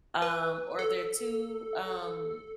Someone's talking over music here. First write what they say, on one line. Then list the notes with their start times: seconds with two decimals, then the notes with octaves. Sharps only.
um, or they're too, um,
0.22 B4
0.79 A4